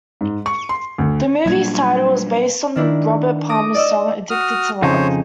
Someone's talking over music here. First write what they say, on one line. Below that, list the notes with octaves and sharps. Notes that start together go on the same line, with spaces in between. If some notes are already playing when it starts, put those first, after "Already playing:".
The movie's title is based on Robert Palmer's song "Addicted to Love".
G#2
C#6
C6
D2
A#2 F#3 G3 D4 G#6
D#3 D4 E4
D6 D#6 A#6
D5 D#5 E6
F#4 D#6 F6
F2 C#3 D#4 C5 C#5